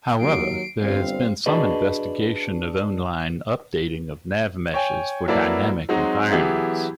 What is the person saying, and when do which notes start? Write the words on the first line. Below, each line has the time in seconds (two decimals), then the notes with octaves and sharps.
However, there has been some investigation of online updating of navmeshes for dynamic environments.
0.21 D#2 F#3 C7 D7
0.81 G1 G3 C4 F5
1.46 D4 F#4 G#4 B4 D5 D#5
4.74 C#5 G5 G#5
5.28 F#3 A#3 E4 A4 B4 D5
5.89 F#3 G#3 C4 D#4 F#4
6.32 E3 F#3 B3 E4 G4 G#4